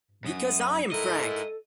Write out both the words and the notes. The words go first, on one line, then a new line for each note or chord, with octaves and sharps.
Because I am Frank!
F#2 D#6
G#2 E4 A4 A#4 D#5